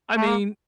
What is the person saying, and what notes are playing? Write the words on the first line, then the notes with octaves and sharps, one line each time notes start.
I mean,
A3
A#3